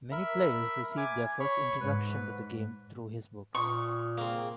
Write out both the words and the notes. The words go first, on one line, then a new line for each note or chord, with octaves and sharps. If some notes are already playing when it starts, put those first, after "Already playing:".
Many players received their first introduction to the game through his books.
A#4 E5 B5
G#5 D6
C#5 B5 C#6
G#2 B4
A#2 C#6 D#6
A#3 C4 G#4